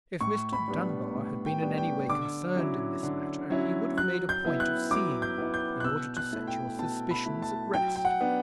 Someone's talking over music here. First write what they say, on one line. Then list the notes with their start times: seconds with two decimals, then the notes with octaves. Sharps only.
If Mr. Dunbar had been in any way concerned in this matter, he would have made a point of seeing you, in order to set your suspicions at rest.
0.21 A2 C#6
0.53 B5
0.68 G3 B3 D4
1.15 A2
1.46 G5
1.62 G3 B3 D4
1.78 G5
2.09 D3 D6
2.56 F#3 C#4 E4
3.03 D3
3.50 F#3 C#4 E4
3.97 F#3 F#6
4.29 G6
4.44 B3 E4
4.60 F#6
4.91 F#3 D6
5.22 G6
5.38 B3 E4
5.54 G6
5.80 F#6
5.84 B2 E6
6.17 F#6
6.32 A3 E4
6.47 G5
6.79 B2 A5
7.11 B5
7.26 A3 E4
7.42 A5
7.74 F#3 G5
7.96 G5
8.05 F#5
8.21 B3 D4